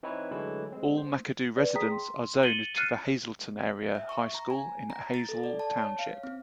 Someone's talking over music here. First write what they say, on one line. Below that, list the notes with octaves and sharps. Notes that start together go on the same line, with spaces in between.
All McAdoo residents are zoned to the Hazleton Area High School in Hazle Township.
E3 C4 D#4 E4 B4 C#5
D3 E3 F#3 G#3 A3 E4
G#3 C4
C5
B4 D5
G#4 G5 A#5 D#6 B6
C6
A6 C#7 D#7 F#7 G7
F6 F#6 A6 C7 C#7 D#7
E5
C#6
A#5
G#5
A#5
A6
A4
D5
A5
C#5
F5
C4